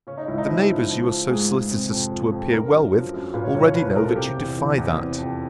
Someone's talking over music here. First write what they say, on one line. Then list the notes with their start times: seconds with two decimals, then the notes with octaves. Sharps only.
The neighbours you are so solicitous to appear well with, already know, that you defy that.
0.07 C#3 C#4
0.18 D#4
0.28 C#2 E4
0.38 D#4
0.48 F3 E4
0.69 C#2
0.89 F3
1.09 F3
1.29 G#2 G#4
1.51 G#2
1.71 C3
1.91 F2
2.12 F3
2.32 F2
2.52 D3 A#4
2.73 F#2
2.94 F3
3.14 F#2
3.34 A#2 B4
3.44 C#5
3.54 C2 C#5
3.65 C#5
3.75 F3 B4
3.85 B4
3.96 C2 A#4
4.05 A4
4.16 C3 G4
4.37 E2
4.57 E3
4.78 E2
4.98 C3
5.18 F2